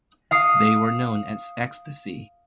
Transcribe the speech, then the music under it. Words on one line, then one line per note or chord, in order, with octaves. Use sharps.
They were known as "Ecstasy".
F5 D#6 C7 C#7